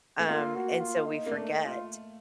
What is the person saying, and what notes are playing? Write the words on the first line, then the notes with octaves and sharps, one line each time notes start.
um, and so we forget.
A3
A#3 F4
F#4
F4
D#4
A#3
A3 D4
D#4
F4